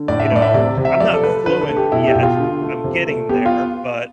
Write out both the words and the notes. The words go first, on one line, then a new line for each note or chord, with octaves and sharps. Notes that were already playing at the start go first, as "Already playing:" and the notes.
you know, I'm not fluent yet. I'm getting there. But
Already playing: D3
A2 D5
E5
A2 D5
E5
C3 D5
C3
E5
F3 D5
A4
A3 B4
D3 B4
A4
A3
G4
B2 E4
G4
B2
F4
D3
A3
C3
A3
B3 G4
F4